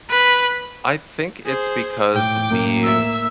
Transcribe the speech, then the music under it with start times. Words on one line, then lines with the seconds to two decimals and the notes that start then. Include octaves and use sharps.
I think it's because we've
0.10 B4
1.45 G#4 C5
2.14 A2 G5 D6
2.48 A2 A#3
2.83 E5 E6